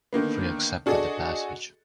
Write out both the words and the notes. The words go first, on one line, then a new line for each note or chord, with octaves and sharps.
Three accepted the passage.
D3 D#3 A#3 B3
D4 F#4 G#4 A4 D5 D#5